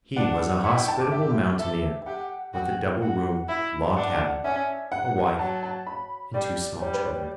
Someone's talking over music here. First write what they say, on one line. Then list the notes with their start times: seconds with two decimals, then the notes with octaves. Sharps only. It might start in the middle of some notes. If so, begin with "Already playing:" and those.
He was a hospitable mountaineer, with a double-roomed log cabin, a wife and two small children.
0.16 D4 F#5
0.64 E4 F#5
0.76 G5
0.88 A5
1.00 D6
1.11 G4 E5
1.58 A4 E5
2.02 E5
2.06 G4 F#5
2.54 F#4 G5
3.02 F#4 F#5
3.48 E4 E5
3.97 D4 F#5
4.44 C#4 E5
4.92 F#5
5.39 F#3 A5
5.63 A5
5.87 B5
6.34 G3 D5
6.81 G3 C#5
6.94 B4
7.06 C#5